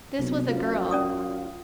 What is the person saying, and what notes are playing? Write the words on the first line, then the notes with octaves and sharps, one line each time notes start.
This was a girl.
B1 C3
F#2 F4
C#4 D5 D#6